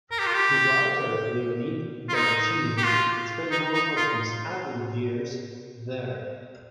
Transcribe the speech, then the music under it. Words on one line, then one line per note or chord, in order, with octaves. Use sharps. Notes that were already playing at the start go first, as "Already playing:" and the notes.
The writer Leonid Dobychin spent most of his adult years there.
A#4
G4
F4
G4
F4
D#4
G4
F4
D#4
D#4
F4